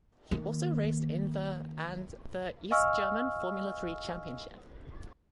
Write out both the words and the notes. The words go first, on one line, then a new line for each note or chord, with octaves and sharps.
He also raced in the and the East German Formula Three Championship.
D#3 A#3
D#5 F5 G#5 C#6 E6 F6